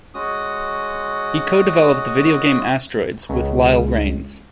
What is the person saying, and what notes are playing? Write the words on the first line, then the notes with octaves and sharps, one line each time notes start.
He co-developed the video game "Asteroids" with Lyle Rains.
G#3 C#4 F#4 D#6
C#2